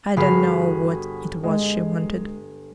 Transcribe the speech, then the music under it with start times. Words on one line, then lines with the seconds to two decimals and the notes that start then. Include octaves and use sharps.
I don't know what it was she wanted!
0.16 G1 F#4 G#4 F5 B5
1.43 G#3